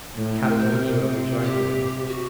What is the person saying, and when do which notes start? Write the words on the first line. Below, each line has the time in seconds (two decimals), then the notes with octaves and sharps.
Captain Nemo rejoined me.
0.16 A2
0.48 C3 A#4
0.59 C5
0.69 A#4
1.44 G4
2.08 F#4